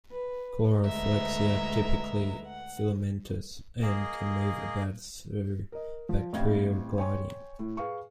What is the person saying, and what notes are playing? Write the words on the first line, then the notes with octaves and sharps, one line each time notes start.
Chloroflexia are typically filamentous, and can move about through bacterial gliding.
B4
D2 G#3 B3 E5 A#5
F#5
A#3 G#4 D#5
A#4 D#5
F3
A1 C4 E4 G4 F5 G#6
C#5 G5 G#5 C6 C#6
A2
G#4 B4 F5 C#6